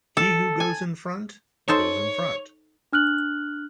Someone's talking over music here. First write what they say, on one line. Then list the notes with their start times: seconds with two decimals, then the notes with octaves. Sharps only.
He who goes in front, goes in front.
0.17 A4
0.60 G#5
1.68 D#4 A4 C5 C#5
2.93 D4 F6 F#6 F#7